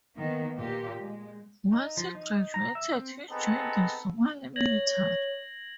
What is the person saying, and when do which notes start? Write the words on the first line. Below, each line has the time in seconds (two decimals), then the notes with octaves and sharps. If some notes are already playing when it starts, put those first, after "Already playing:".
Once he graduated he joined the Somali military.
0.17 D#3 A#3 B3
0.60 A#2 G4
1.00 G#3
1.72 D#4
1.97 F3
2.15 D#4
2.54 A#5
2.75 E5
2.93 C4
3.30 B3 C4 D#4 G#4 A4
4.56 C#5 G#6 A#6 F#7